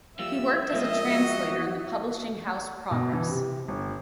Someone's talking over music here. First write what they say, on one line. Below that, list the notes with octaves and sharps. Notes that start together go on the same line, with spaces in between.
He worked as translator in the publishing house Progress.
F3 G3 A#3 E5 E6
F3 G#3 C4 A#4 D#5
F#4
B2
E3
C3
G1